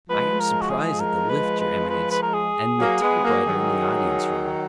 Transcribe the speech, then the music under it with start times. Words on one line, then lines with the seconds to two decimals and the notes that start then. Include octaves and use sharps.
"I am surprised at the lift, your Eminence, and the typewriter in the audience-room."
0.09 F3 G#3 B4
0.40 A#4
0.62 F#4
0.69 G#4
1.00 A#4
1.29 B4
1.60 B4
1.90 B4
2.11 B4
2.23 A#4
2.34 G#4
2.79 F#3 A#3
3.01 G#3 B3
3.23 F#3 A#3
3.46 D#3 F#3